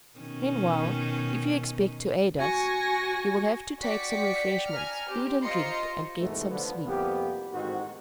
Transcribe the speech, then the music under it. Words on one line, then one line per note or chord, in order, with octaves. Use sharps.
Meanwhile, if you expect to aid us, you will have to take some refreshments, food and drink, and get some sleep.
B2 D#3 C#4
F#4 G#5 C#6 A#6
F#4 D5 G5 B6 C#7
G#5 A#5 F6
C4 G4
F4 C5 D#5 A#5 C6 C#7
C2 G#2 B2 D#3 E3 A3
D3 F3 B3
C2 F2 A#3 B3 G4
A1 G#2 D#3 C4 F#4